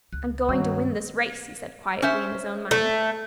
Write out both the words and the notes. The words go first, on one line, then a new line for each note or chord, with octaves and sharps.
"I'm going to win this race!" he said quietly in his own mind.
C#2 F#6
G2 D#3 F#3 G3 C#4
C#4 C5 E5
A3